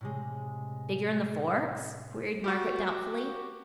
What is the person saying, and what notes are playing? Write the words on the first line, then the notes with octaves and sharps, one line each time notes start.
"Bigger'n the Forks?" queried Margaret doubtfully.
A2 C3 G#3
F#4 G4